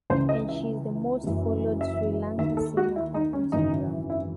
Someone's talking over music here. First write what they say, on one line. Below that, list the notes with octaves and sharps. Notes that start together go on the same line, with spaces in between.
And she is the most followed Sri Lanka singer on Instagram.
C#2 C#3 E3 C5
D#5
E5
F#1 F#2 E3
E5
D#2 D#3 E5
A4
F#4
E4
D#4
C#4
G#1 F#2 C#3 E3 D#4
E4